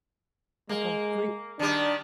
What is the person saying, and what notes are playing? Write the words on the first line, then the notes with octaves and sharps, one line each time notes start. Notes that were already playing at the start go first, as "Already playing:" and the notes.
Like a gr
G#3 A#3
D#3 G3 D4